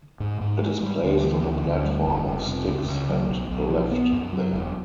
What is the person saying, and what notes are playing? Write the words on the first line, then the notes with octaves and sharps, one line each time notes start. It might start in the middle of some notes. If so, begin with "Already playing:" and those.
It is placed on a platform of sticks and left there.
G#2
G#2
G#3
G3
D2
E3
D2
D2
G3
F1
F1
C3
C#2
C#2
F#3
B1
B1
F3
B3
F#2
F#3
E1